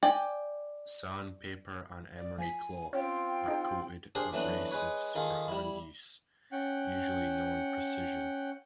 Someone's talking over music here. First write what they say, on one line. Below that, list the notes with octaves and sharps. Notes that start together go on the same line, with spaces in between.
Sandpaper and emery cloth are coated abrasives for hand use, usually non-precision.
D5 G5 G#5
D5
F3 G#5 B6
C4 C#4 F4 G5
D#4 G#4
D4 G4 G#4 A#4 C5 D5
E3 F#3 A3 B3 D4
G#3 D#4 B4 C#5
D#3 D#4 F4 G#4 A4
G3 E4
C#4 F#5 G5